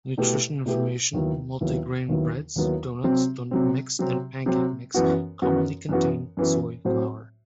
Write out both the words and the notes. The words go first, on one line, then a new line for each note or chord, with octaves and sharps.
Nutrition Information Multi-grain breads, doughnuts, doughnut mix and pancake mix commonly contain soy flour.
B2 A3 E4 G4 B4
B2 A3 E4 G4 B4
D#2 D#3 F#3 B3 E4
D#2 D#3 F#3 B3 E4
D#2 D#3 F#3 B3 E4
D#2 D#3 F#3 B3 E4
C3 F#3 C4
C3 F#3 C4
C3 F#3 C4
C3 F#3 C4
F#2 E3 B3 F#4
F#2 E3 B3 F#4
F#2 E3 B3 F#4
F#2 E3 B3 F#4
A2 F#3 C4 F#4 C5